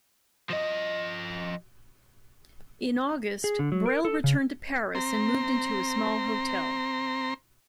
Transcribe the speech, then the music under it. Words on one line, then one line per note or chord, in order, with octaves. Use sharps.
In August, Brel returned to Paris and moved into a small hotel.
F3 D#5
G#4
D3
F#3
A#4
A4
C#3
C4 A#5 C6